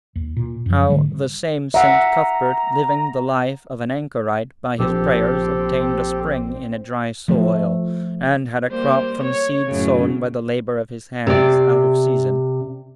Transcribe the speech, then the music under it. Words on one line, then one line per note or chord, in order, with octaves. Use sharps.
How the same St. Cuthbert, living the life of an Anchorite, by his prayers obtained a spring in a dry soil, and had a crop from seed sown by the labour of his hands out of season.
D#2
A#2
F#2 F3
G#2 D3 G3 A3
E5 F#5 A#5
A#1 C4 G4 A4
F3 A3
G3 A#3 C5
C#5
F#2 A2 C#3
C3 D5